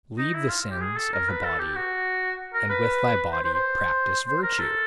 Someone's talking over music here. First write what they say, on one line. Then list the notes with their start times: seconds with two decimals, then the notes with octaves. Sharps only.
Leave the sins of the body, and with thy body practise virtue!
0.18 D#4
0.34 E4
0.49 F4
0.71 G4
0.82 G#4
0.97 A4
1.13 A#4
1.29 B4
1.44 A4
1.60 G4
1.76 F#4
2.54 A#4
2.70 B4
3.33 C5
3.44 C5
3.54 C5
4.28 C5
4.43 A#4
4.59 A4